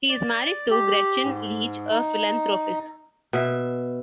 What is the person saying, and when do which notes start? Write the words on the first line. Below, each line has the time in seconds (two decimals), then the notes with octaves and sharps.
He is married to Gretchen Leach, a philanthropist.
0.09 D5
0.70 G4
1.25 G#2
1.91 D#4
3.33 B2 E5